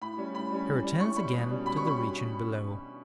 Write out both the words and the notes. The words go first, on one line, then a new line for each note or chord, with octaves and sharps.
He returns again to the region below.
A2 B5
G3 C#4
A2 B5
G3 C#4
A2
G3 C#4
A2 C#6
G3 C#4 B5
B2
G3 C#4
B2 B5
C#6
G3 C#4 B5